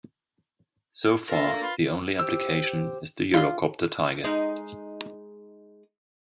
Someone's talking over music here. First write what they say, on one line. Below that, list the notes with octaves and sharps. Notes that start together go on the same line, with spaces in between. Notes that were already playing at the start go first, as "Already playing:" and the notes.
So far the only application is the Eurocopter Tiger.
D4 F4 A4 A#4 E5 F5
F4 B4
G4 C5 E6
F4 D5 C6
G#3 D#4